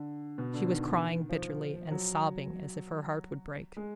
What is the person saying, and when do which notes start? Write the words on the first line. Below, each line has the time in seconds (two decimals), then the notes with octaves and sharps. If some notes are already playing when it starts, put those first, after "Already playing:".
She was crying bitterly, and sobbing as if her heart would break.
Already playing: D3
0.38 B2
0.54 D3
0.69 D#3
1.29 F3
1.91 F#3
3.77 G#3